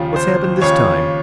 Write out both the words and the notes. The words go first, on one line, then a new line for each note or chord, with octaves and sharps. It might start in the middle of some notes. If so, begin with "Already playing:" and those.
"What's happened this time?"
Already playing: D#2 C#3 F3
C5
D#2 C#3 F3 C#5